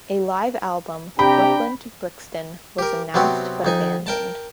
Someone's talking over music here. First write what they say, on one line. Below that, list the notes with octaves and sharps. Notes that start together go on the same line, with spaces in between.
A live album, "Brooklyn To Brixton", was announced but abandoned.
C3 D4 G4 G5 A#5 B5
G4 A#4
C3 F#3 B3 C4 F#4
F2 D#4 G#5
A#4 G5 A5